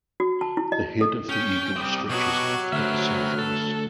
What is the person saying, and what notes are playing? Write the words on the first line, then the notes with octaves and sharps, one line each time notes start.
The head of the eagle stretches off to the southwest.
F#4
A5
E4
D#5
A4
C#4 G5
G3 C4 D6 D#6
B2 F#3 F#4 G4
D3 A3 B4 C5 E5 F6
A4